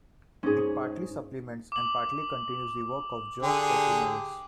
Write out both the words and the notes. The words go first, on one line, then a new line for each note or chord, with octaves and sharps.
It partly supplements and partly continues the work of George Pachymeres.
G#2 C#4 G#4
D6 F#7
D3 G4 G#4